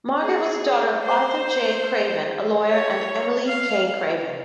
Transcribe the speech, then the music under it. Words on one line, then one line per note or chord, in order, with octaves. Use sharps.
Margaret was the daughter of Arthur J. Craven, a lawyer, and Emily K. Craven.
G#4
C5
C#5
F5